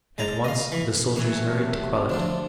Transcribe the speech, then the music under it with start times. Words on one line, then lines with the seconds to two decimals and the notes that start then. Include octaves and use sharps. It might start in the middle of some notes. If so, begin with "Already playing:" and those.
At once the soldiers hurried to quell it.
0.18 G#3 A5 A#5
0.44 D#5 F5
0.72 E3
1.16 C3 E3 F#3 A3 C#5
2.09 D2 F3 A3 D4